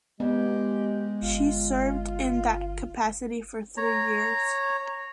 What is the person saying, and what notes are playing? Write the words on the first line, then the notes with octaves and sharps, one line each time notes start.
She served in that capacity for three years.
G#3 B3 G4
G1 F4
C#5 A#5